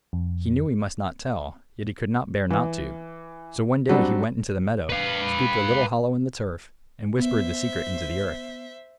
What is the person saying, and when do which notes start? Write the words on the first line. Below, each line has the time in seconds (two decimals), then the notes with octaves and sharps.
He knew he must not tell, yet he could not bear not to; so one day he went into the meadow, scooped a little hollow in the turf, and whispered the secret into the earth.
0.13 F2
2.50 E3
3.89 F#3 G3 C4 D4
4.89 B4 F5
7.19 B3 C5 E5